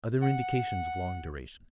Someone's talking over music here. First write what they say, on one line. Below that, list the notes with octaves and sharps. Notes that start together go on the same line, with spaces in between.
Other indications of long duration.
F#5